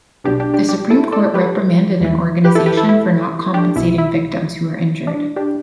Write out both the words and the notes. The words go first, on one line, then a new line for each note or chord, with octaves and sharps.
The Supreme Court reprimanded an organization for not compensating victims who were injured.
B1 B2 D4 G4
D4 G4
D4 G4
D4 G4
E4 A4
A4 D5
G4 B4
E2 E3
G4 B4
E4 A4
G4 B4
E4 A4
E4
D4 G4
B1 B2 E4
E4
D4
D4 G4